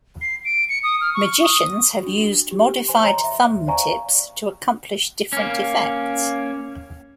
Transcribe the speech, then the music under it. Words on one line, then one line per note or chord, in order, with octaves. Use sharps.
Magicians have used modified thumb tips to accomplish different effects.
C7
D7
C#7
D#6
F6
C#6
D#6
D4 F#4
G4
C5 G#5 C6
C#5 D#5 A#5 C6
E5
C5 D5 F5 G#5 A#5 C#6
A#3 C#4